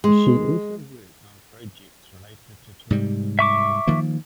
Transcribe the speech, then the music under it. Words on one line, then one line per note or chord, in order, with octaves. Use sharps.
She also worked on projects related to tourism and the Port.
G#3
G#2 C3 G3
E5 C#6 D6
D#3 F3 A#3